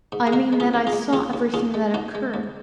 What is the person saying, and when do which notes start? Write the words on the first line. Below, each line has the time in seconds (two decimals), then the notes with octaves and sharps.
"I mean that I saw everything that occurred."
0.12 G#2
0.27 G#4
0.33 G#3 F#4 A#4
0.53 G#3
0.60 F4 G#4
0.74 D#2
0.87 F4 G#4
0.93 G#3
1.13 D#2 F4 G#4
1.33 D#2
1.54 D#2 F4 G#4
1.74 G#3
1.94 D#2 D#4 F#4
2.15 G#3
2.34 D#2